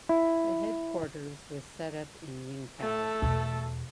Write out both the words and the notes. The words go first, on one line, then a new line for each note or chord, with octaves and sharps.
The headquarters was set up in Yingkou.
E4
A3 A4
E2 B2